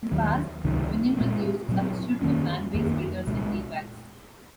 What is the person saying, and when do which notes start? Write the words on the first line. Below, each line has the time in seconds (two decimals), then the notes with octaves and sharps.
In the past, Vinyon was used a substitute for plant-based filters in tea bags.
0.11 D#2 D#3 F#3
0.64 C#2 C3 D#3 F#3
1.17 A#2 G#3 C4
1.68 A#2 F#3 C4
2.22 F2 D#3 A#3 C#4
2.74 F2 D#3 A#3
3.26 C2 A#2 G#3